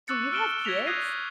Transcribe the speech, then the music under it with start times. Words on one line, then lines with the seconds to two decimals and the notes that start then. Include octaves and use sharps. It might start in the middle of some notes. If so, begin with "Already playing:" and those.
"Do you have kids?
0.08 C#6 D6 E6 F#6 A6 C#7
0.31 E6 F6 D7 E7 G7
0.65 G#6 A#6 B6 F7
0.86 D#6 F#6 G#6 A#6 C7 D#7